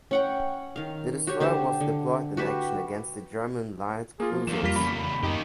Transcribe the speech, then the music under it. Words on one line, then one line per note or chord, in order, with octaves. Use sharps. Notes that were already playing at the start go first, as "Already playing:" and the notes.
The destroyer was deployed in action against the German light cruisers.
C#4 F#5 G5
D#3 F5
F#4 G4 C#5
D3 G4 C5 A5
D3
F#4 G4 B4 E5
A#3 F4 G#4
F3
E2 E3 A#3 E7
F2 G3 F4 A#4 B6
E2 C#3 B5
F#2 A#3 D#4 G4